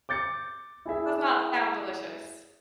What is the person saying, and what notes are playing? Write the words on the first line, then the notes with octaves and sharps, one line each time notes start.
That does not sound delicious.
D6 G6 A6 C#7
E4 G#4 E5